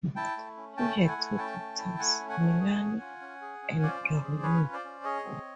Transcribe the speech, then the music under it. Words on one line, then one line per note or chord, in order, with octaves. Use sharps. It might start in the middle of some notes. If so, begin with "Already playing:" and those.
They had two daughters, Melanie and Bronwyn.
E4 G5 A5
A3
C#4
A3 G5 A5
E4
F#5 G#5
A3
C#4 G5 A5
A3
E4
A3 F#5 G#5
C#4
F#5 G#5
A3
G#4
C#4
F4
C#4
G#4
C#4
F4 C5 D5
C#4
G#4
C#4 B4 C#5
F4
C5 D5
C#4
G#4 C#5 D#5
C4